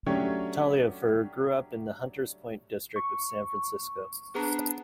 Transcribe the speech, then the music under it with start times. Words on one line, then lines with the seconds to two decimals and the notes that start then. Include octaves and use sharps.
Taliaferro grew up in the Hunters Point district of San Francisco.
0.06 F#3 A3 C#4 D4 G4 C#5
2.96 C#6
4.35 B3 D4 G#4 C5 A#5